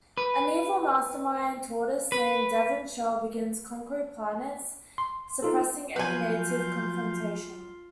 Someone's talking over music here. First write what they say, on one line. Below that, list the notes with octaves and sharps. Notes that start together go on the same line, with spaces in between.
An evil mastermind tortoise named Devan Shell begins conquering planets, suppressing any native confrontation.
B4
B4
C6
D#4 F4 A4
F3 F#3 F4 B4 G#5 C6 G6